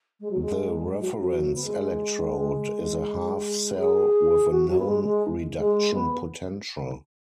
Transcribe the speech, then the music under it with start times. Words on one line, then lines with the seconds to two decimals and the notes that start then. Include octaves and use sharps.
The reference electrode is a half cell with a known reduction potential.
0.21 G#3
0.31 F#3
0.41 G#3
0.93 G#3
1.01 F#3
1.19 F#3
1.55 B3
1.64 G#3
3.75 B4
3.79 G#4
4.51 F#4
4.68 F#3
4.79 B3
4.85 G#3
5.04 G#3
5.58 G#3
5.94 B3